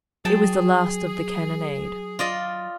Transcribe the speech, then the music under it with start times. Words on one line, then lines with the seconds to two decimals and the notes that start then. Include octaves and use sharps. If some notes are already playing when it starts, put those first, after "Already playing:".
It was the last of the cannonade.
0.25 F#3 G#4 G5 A5
2.19 F4 D5 D#5